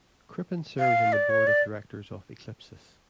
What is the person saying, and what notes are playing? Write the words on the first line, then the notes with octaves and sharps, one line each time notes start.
Crippen serves on the board of directors of Eclipsys.
F5
D5
C#5
D5